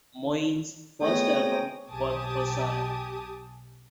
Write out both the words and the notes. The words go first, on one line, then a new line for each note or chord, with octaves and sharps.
Moen's first album for Hosanna!
G#1 A3 B3 G#4 C#5 G5 D#6 A#6
B1 G4 G#5 A5 D6 D#6